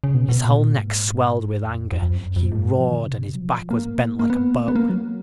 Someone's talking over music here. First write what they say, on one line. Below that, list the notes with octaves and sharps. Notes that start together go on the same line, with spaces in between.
His whole neck swelled with anger; he roared, and his back was bent like a bow.
C#3
B2
B2
A#2
G#2
F2
F2
F2
F#2
F2
F#2
G#2
F3
D#3
C#3
B2
C#3
F#3
F3
A#3
A#3
B3
A#3
B3
A#3
F#3